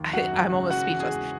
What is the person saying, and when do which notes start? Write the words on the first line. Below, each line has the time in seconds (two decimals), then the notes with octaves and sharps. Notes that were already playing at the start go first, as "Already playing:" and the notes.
I I'm almost speechless,
Already playing: D#2
0.13 F#2 F#4 F#5
0.33 G#1
0.52 C#3
0.70 C#3 F#4 F#5
0.90 E3
1.00 G#4 G#5
1.10 E1